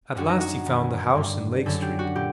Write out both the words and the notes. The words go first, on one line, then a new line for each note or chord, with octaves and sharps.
At last he found the house in Lake Street.
F#2 D3 G3 F#4
D#4
F#4
F#2 D#3 F#3
G2 D3 G3
F#2 D3 F#3 A4
G4
F#4
A#2 G4